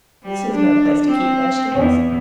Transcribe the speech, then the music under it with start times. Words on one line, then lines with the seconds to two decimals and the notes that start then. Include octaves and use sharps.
This is no place to keep vegetables.
0.23 G3
0.52 D4
1.07 C4
1.75 E2